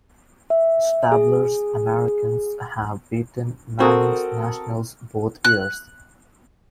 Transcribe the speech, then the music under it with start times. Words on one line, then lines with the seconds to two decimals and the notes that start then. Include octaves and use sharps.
Stabler's Americans have beaten Manning's Nationals both years.
0.50 E5
1.12 G#4
3.80 C4 F#4 A4 A#4 D#6
5.44 F#6